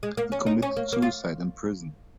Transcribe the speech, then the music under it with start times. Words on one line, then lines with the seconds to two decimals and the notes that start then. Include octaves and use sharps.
He committed suicide in prison.
0.03 G#3
0.17 A#3
0.32 C#4
0.46 D#4
0.62 C#4
0.77 A#3
0.93 A#3
1.02 F4